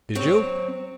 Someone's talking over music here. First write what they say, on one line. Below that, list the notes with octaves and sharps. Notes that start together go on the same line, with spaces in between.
"Did you...."
F#3 C4